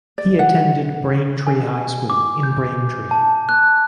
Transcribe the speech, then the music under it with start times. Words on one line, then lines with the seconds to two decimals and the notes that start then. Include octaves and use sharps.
He attended Braintree High School in Braintree.
0.18 D5
0.39 F#5
1.47 G#5
2.10 D6
2.43 G6
3.11 A5
3.49 F#6